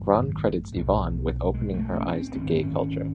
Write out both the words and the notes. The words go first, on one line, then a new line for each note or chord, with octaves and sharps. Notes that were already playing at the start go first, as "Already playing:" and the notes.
Grahn credits Yvonne with opening her eyes to gay culture.
Already playing: G#1 F#2 D3 A3
B1 A2
G#3
A3
C#4
C4
G#1 F#2 D3 C#4
C4
C#4